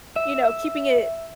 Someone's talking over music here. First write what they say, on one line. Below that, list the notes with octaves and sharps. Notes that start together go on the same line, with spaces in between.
you know, keeping it,
E5